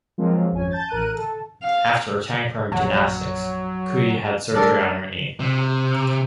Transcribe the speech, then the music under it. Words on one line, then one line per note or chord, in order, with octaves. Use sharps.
After retiring from gymnastics, Kui had surgery on her knee.
F3 F#3 G#3 A#3 C4 F4
G#1 F2 C#4 G#5
A5 G6 A6
A1 A#4 F#6 D#7
A4
F5
A#1 F#2 A#2 F#3
G3 A3 D4 A4 A#4
C3